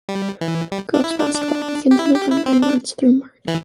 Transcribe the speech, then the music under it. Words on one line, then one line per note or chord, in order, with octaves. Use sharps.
Girls Basketball begins in November and runs through March.
G3
E3
G3
D4
E4
D4
D4
G4
E4
G4
E4
C4
D4
E3